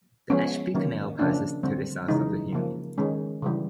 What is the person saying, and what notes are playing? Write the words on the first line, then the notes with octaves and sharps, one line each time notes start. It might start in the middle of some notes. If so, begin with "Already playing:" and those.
The Ashby Canal passes to the south of the hill.
F3 G#3 B3 C#4
D#3 F#3 A#3 C#4
C#3 F3 A#3 C#4 D4
D3 G3 C4
C#3 E3 G#3 D#4
C#3 F3 A#3
D#3 G#3 C#4
C#3 E3 G3